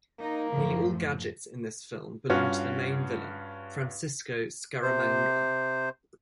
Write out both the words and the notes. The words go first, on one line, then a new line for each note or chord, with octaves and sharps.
Nearly all gadgets in this film belong to the main villain, Francisco Scaramanga.
A#3 D#4
F#2 A2 F3
G2 C#4 F4 F#4
C3 C5